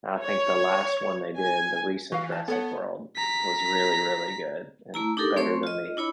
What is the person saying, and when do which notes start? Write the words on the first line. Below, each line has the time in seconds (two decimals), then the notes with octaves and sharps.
I think the last one they did, the recent Jurassic World, was really, really good and better than the
0.22 C#5
1.37 G#5
2.12 E3 F#4 F5
2.32 A5
2.48 B3 A4 C#5 F#5
3.16 A#5 B6
4.94 A3 E4 A#5
5.17 D4 D#4 G4 A4 A#4
5.36 A3 C4 C5 C#5 C6 C#6
5.63 F4 D#5
5.97 D4 E4 C#5 B5